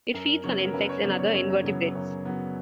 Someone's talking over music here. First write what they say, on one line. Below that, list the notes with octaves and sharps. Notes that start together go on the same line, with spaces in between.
It feeds on insects and other invertebrates.
F#2 A#4
C#3 F#3 B3 C#5
A#4
F#2 B4
C#5
C#3 F#3 B3 D5
C#5
F#2 C#5
C#3 F#3 B3
F#2 C#5
C#3 F#3 B3